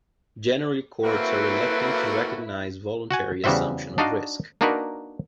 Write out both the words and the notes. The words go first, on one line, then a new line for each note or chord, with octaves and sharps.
Generally courts are reluctant to recognise voluntary assumption of risk.
F#3 A3 A#3 C4 E4 F#4 B4
F#4 F#5 G#5
E2 C#3 G3 F#4 C5 E5
D4 D#4 F#4 D5 D#5 F5
A#3 D4 D#4 F#4 A#4 B4